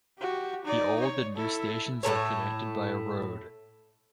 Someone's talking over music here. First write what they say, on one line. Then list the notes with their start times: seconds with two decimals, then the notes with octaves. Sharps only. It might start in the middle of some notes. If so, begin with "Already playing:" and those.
The old and new stations are connected by a road.
0.19 F#4 G4
0.65 D#4 D5
1.00 C#5
1.37 E4 A4
2.03 A2 F3 A3 C#5